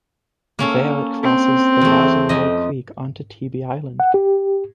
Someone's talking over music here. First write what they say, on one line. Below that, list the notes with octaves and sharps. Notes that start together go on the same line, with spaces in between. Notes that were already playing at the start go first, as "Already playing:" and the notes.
There it crosses the Lazaretto Creek onto Tybee Island.
A#3 C#4 A4
C4
E2 A3
F2 D#5
F#5
G4